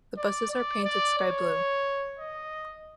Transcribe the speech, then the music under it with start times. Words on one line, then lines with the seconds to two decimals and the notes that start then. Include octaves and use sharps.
The buses are painted skyblue.
0.17 D5
0.51 D5
0.84 D5
1.18 C#5
2.19 D#5